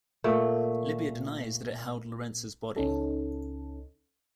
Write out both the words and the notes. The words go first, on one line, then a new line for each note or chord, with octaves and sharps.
Libya denies that it held Lorence's body.
A#2 A3
C#2 C#4 D#4 A4